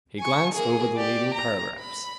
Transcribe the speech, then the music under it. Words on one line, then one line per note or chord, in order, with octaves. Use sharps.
He glanced over the leading paragraphs.
G#5 C#6
A#3 G#4
G4 D5
A#5
B5